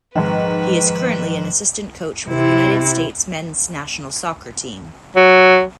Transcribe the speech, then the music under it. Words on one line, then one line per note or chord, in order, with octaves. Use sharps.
He is currently an assistant coach with the United States men's national soccer team.
G#2 D#3 F3 B4
C3 E4
F#3